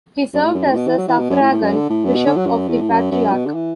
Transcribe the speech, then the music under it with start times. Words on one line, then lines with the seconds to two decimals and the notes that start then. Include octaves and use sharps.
He served as a suffragan bishop of the Patriarch.
0.33 F#2
0.44 A2
0.54 F#2
0.66 F#2
0.71 A2
0.76 B2
0.87 E3
0.97 F#3
1.08 E3
1.19 B2
1.30 F#2
1.41 A2
1.51 A2
1.62 F#2
1.76 D3
1.90 A2
2.04 F#2
2.15 B2
2.26 D3
2.36 F#3
2.47 F#2
2.68 E2
2.81 A2
2.90 F#2
3.11 F#2
3.32 B2
3.46 D3
3.54 E3